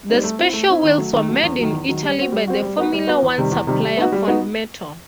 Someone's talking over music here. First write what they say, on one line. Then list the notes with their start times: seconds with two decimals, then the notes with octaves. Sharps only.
The special wheels were made in Italy by the Formula One supplier Fondmetal.
0.09 G3 C4 D#4
0.24 A3
0.38 C4 E4
0.53 A3
0.69 C4 E4
0.83 D#3
0.98 F#3 A3
1.13 D#3
1.28 F#3 A3
1.43 E2
1.59 D#3 F#3
1.73 E2
1.88 D#3 F#3
2.03 G3
2.18 C4 F#4
2.32 G3
2.47 C4 F#4
2.63 G3
2.78 B3 F#4 B4
2.93 G3
3.07 B3 F#4 B4
3.22 E2
3.38 C3 D#3 G3
3.52 E2
3.67 C3 D#3 G3
3.82 G3
3.97 B3 D#4 F#4
4.12 G3
4.27 B3 D#4 F#4